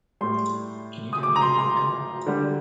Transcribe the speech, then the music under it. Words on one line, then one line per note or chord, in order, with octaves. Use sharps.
Can you get me a new account?
A2 G3 C6
D#6
D6
A#5
C6
C6
D3 G3